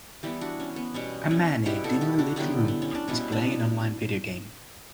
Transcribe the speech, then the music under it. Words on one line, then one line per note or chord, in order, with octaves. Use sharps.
A man, in a dimly lit room, is playing an online video game.
E3 G3 B3 E4 G4
D4 F#4
C#4
B3
B2 G3 B3 C#4
C#4 E4
B2 G3 B3 E4 G4
F#4 A4
E4 G4
D4 F#4
D3 F#3 B3 E4 G4
B3
C#4
D4
B2 G3 B3 C#4 E4
B3 D4